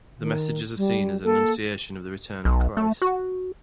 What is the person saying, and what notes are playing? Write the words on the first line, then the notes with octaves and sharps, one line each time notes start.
The messages are seen as an annunciation of the return of Christ.
D#3
G3
A#3 A4
B1
A3
F#4